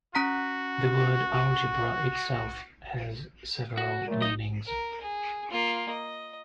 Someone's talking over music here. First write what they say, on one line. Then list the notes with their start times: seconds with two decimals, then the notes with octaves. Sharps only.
The word "algebra" itself has several meanings.
0.15 C#4 F#4 A#5 B6
3.77 F#4
4.08 A#2 F#3 A3
4.22 D#4 D#5
4.66 A#4
5.00 G#4
5.51 A#3 F4
5.89 D#5